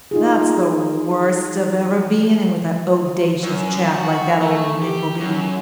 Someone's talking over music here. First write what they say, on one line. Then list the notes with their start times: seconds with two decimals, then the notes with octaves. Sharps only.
That's the worst of ever being in with a owdacious chap like that old Nickleby.
0.11 D#4 F4 G#4
3.43 F#2
3.94 F#4
4.41 A3
4.82 G4
5.20 F#2